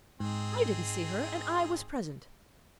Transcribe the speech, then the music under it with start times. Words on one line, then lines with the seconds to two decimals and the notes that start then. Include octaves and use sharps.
"I didn't see her, and I was present."
0.20 G#2 C4 D#4 G#4